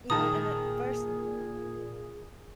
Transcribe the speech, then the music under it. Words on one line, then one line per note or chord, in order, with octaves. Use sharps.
you know, and at first
A#2 D#3 G#4 A5 A#5 D#6